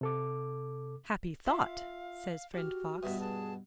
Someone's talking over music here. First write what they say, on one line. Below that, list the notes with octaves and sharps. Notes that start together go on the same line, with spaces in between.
'Happy thought!' says friend Fox.
C3 A4 D6
F4 E5 F5
F#4 G4 F6
G2 B2 E5 D#6
G#4 A5